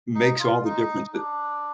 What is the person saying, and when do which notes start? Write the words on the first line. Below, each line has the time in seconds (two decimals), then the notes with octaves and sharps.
makes all the difference that
0.15 D#4
0.39 F4
0.65 D#4
1.14 D4